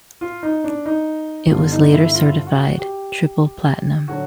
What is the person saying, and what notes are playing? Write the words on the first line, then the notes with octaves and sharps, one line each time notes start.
It was later certified triple platinum.
F4
D#4
D4
D#4
G1 G2 D3 F4
D#4
E4
F4
E4
F4
F#4
G4
D3 F#3 F#4